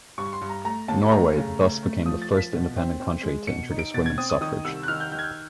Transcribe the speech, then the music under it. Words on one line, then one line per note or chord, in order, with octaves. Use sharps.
Norway thus became the first independent country to introduce women's suffrage.
G2 C#6
C6
G2
A#5
A3 A#5
D#2 A5
A3 A#5
C#3
A3
A3
F3 D#6
A6
F3
B6
B2
C4
C4
G#3
B2 C#7
D#4
D7
B2 A6
G#6
C4 D#6
D#6
D#3 D#6
C2 E6
F#6
D#3 F6
G6
D#3 G6
G#6
G6